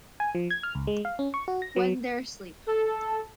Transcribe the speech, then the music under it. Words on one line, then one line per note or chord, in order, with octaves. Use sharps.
When They're Asleep.
G#5
F3
G#6
F6
C#2
G#3
F5
C#4
C#6
F#4
A#6
F#3
A4